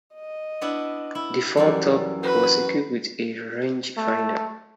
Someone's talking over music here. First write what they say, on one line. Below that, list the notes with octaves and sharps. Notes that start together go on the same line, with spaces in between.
The fore-top was equipped with a rangefinder.
D#5
B3 D4 E4
E4
F#2 E3 G3 D5
F#4 B4
A3